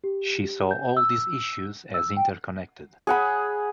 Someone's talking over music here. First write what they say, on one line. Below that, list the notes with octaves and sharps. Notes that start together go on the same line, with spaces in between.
She saw all these issues as interconnected.
G4
G6
E6
E6
G5
G#4 F#5 B5